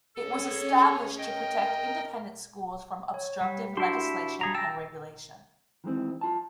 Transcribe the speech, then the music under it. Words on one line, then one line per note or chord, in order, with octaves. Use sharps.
It was established "to protect independent schools from obstructive legislation and regulation".
C#4 G#4 A4 C#5
A#4 D#5 G5
C#5
G3
D4 E4 F#4 G4 C6
G3 G#4 A#5
G5 A5 A#5 E6
D#3 E3 G#3 C4
F4 A5